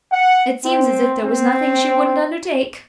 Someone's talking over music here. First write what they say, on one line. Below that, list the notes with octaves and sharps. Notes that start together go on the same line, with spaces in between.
"It seems as if there was nothing she wouldn't undertake."
F#5
C4
C4